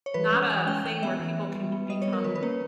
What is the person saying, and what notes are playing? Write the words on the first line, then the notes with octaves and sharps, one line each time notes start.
not a thing where people can become
C#5
E3 B4
G#3 C#4
E3 G#5
G#3 C#4 G5
E3 G5
G#3 B3 E5
E3
G#3 B3
G3
B3
G3 D#5
C#5
B3
A#4
D#3 B4
B4
A#3 C#4 C#5